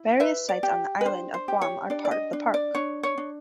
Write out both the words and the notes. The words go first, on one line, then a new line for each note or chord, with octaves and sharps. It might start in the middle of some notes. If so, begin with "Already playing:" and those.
Various sites on the island of Guam are part of the Park.
Already playing: E4
B4 E5
D5
G4
B4
D4 C5
C5
G4
C#5
D4 D5
D5
D#5
D4
D5
D4 C#5
C#5
D4